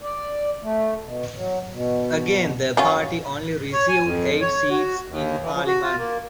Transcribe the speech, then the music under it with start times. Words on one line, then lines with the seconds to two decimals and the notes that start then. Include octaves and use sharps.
Again the party only received eight seats in parliament.
0.02 D5
0.63 A3
1.03 B2
1.36 F#3
1.71 B2
2.77 F#3 C#4 F4
3.73 C#5
3.88 G#5
4.04 F2
4.41 C#5
4.70 F#4
5.08 D#2
5.42 E3
5.54 F3
5.66 F#4
5.83 F4
5.98 A#3